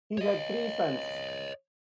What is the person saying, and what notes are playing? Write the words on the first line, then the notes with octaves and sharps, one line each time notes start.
He had three sons.
C#5 D#5